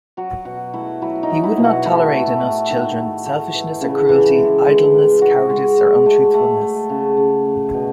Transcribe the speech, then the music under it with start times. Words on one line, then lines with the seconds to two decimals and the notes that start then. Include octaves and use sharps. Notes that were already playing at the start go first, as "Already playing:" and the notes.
He would not tolerate in us children selfishness or cruelty, idleness, cowardice, or untruthfulness.
0.17 F#3 F#4
0.45 B2 F#4
0.73 A3 E4
1.02 F#3 E4
1.23 D#4
1.30 F#3
1.44 E4
1.57 B2
1.64 F#4
1.85 A3 E4
2.13 A3
2.41 A2
2.70 D#3
2.97 A3
3.26 A3
3.54 E3
3.81 C#3
4.09 E3
4.38 G#3
4.66 G#3
4.94 A2
5.22 G#3 F#4
5.50 G#3
5.77 G#3
6.06 A3
6.34 A3
6.62 A3
6.89 C#3
7.17 C#3
7.45 A3
7.74 B2